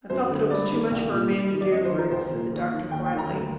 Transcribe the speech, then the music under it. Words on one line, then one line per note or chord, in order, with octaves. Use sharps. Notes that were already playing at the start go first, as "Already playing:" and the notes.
"I felt that it was too much for a man to do, Griggs," said the doctor quietly.
F#2 C5
D3
G2 D5
D#3
C2
A#2
G2
D#3
D5
F#2 D#5
C5
D#3
A#4
C2 C5
A#2
D#2
D#3
D#2 G5
G5
D#3
A#5
D2